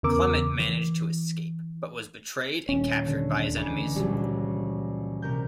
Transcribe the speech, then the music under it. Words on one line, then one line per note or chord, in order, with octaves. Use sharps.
Clement managed to escape, but was betrayed and captured by his enemies.
E2 C#3 B3 A#4 D6 E6
E3
D#1 C#4
D3
C#2 E3
A#1 F#3 G3
C3 A#4 G6